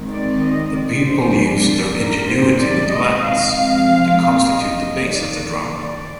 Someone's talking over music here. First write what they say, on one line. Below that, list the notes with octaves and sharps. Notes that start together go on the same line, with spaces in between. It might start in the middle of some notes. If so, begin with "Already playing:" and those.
The people used their ingenuity with laths, to constitute the base of the drum.
Already playing: D#3 G#3 C4
D5
D#5
D5
C3 F3 A#3 C5
D5
A#4
C3 D#3 G#3 C4 C5
D5
D#5
F5
C3 F3 G#3 C4
D#5
D#3 A#3
D5
D5